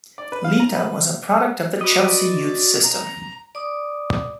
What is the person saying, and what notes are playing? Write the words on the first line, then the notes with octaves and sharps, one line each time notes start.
Lita was a product of the Chelsea youth system.
D5
B4
F5
A#5
B4
F#4 B4 D5 D#5
A#5
D5 D6 D#6